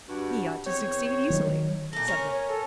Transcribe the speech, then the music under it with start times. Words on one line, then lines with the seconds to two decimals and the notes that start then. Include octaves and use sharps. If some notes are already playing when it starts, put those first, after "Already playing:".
"He ought to succeed easily," said Ralph.
0.09 G2 F#4
0.66 E2 C4 C#5
1.30 D#3 F#3
1.93 A#2 A4 A#6
2.08 C#4 A#4
2.32 C#5
2.48 A4